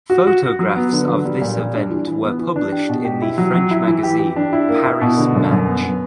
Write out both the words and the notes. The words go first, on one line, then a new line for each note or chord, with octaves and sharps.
Photographs of this event were published in the French magazine "Paris Match".
F#4
F#4
F#4
F#3
B3
D3
F#3
G3
A#2
G3
D4
E3
E3
B3
E3
D4
G4
B2
G4
E4
F#3
F#3
E4
E3
G4
G4
D4
E4
A#3
E4
B2
D3
F#2
F#2
B3
B3